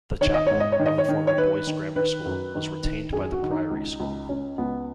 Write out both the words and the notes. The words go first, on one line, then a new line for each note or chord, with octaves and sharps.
The Chapel, of the former Boys Grammar School, was retained by the Priory School.
D#3 C#5
D#5
G#2 C#5
D#5
C#5
D#3
D#5
C#5
D#3
C#5
D#3 B4
D#3
D#3 B4
F#2
D#3
D#3
F#2 G#4
F#4
D#3
D#4
C#2
C#2
C#2 C#4
C#2 B3